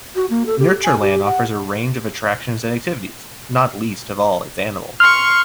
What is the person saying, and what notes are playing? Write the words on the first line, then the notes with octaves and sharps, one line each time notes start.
Natureland offers a range of attractions and activities, not least of all its animals.
F#4
A#3
A4
G4
G#5
G4
F#5
C6 C#6 F6